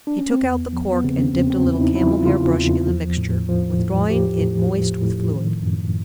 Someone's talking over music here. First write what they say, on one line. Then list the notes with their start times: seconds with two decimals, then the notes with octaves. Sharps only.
He took out the cork and dipped a little camel-hair brush in the mixture, withdrawing it moist with fluid.
0.07 D4
0.19 C#4
0.30 C4
0.43 E2 B3
0.73 F3
0.92 B3
1.04 C#3 C4
1.19 C#4
1.34 E2 C4
1.50 C4
1.65 E2
1.75 E4
1.81 D#4
1.95 F3 E4
2.11 F4
2.26 C#3 F4
2.56 E2
2.87 F3
3.17 A2
3.49 F3
3.79 A2
4.09 F3 G4
4.40 A2
4.70 F3
5.01 A2
5.32 D#3
5.63 F#2